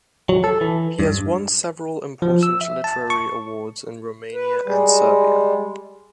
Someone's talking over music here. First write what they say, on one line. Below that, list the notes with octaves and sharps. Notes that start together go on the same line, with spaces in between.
He has won several important literary awards in Romania and Serbia.
F#3
A4
E3
G2
F3
E6
E5
A5
C#6
B4
G3 G#3